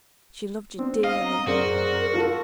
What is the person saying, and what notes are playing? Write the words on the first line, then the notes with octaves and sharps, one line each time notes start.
She loved yo' dearly.
B3 C4 D4
D#5 F5
A#5
F#2 C4 F#4 G#4 A#4 D5
F3 A4